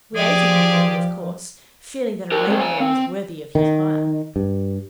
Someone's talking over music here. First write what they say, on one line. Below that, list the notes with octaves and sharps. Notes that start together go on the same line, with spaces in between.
We ate a good many, of course, feeling that the labourer was worthy of his hire.
F3 G4 G#4 D5
G4 A#4
G#3 C4
F5 G#5
C4
D#3
G2